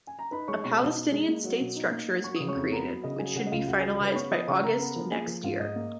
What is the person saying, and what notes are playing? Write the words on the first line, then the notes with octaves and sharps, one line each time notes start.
A Palestinian state structure is being created, which should be finalized by August next year.
G#5
A#5
D#4 B4 B5
G#3 C#5 C#6
B2 C#5 C#6
B2 D#5 D#6
D#4
G#3
A#3
F#3
B2
D#4
A#3
F#3
F#3 C#6
C#3 D#6
C#5 C#6
F2
B3 A#4 A#5
F#3
C#3 D#5
F#3 G#4 G#5
C#3 F#4 F#5
D#5
C#2 F4 F5
C#2 F#4 F#5
F#3 G#4 G#5
C#3 B4 B5
B3 C#5 C#6
F3 D#5 D#6
C#3 C#5 C#6
C#3 A#4 A#5
B3
F3
A#3 G#4 G#5
F3
G#2 F4 F5
G#2 D#5
A#3